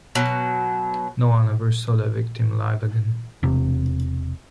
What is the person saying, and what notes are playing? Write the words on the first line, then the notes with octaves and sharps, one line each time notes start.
No one ever saw the victim alive again.
B2 F#3
E1 C3